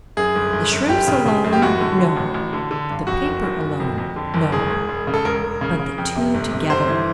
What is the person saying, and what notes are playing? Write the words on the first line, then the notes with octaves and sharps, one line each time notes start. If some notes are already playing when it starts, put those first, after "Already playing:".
The shrimps alone, no; the paper alone, no; but the two to-gether.
F#2 G#4
G1
G1
F#2
G1 G4
C#3
C#3
F#2
G4
A1 F#4
D3
D3
A1
A1
D3
D3
G2
F2 F#4
F#1
F#1
F#1
F2
F2
D3
F#1
E1 G#4
E1
E1
C#3
A4
E1 A#4
E1
C#3
C#3
F2
C3
G1
C3
G1 C5
E3